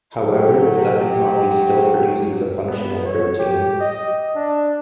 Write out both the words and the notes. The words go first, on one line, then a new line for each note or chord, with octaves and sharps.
However, the second copy still produces a functional protein.
F#3 G4
B3
C#5
G4
D#5
D4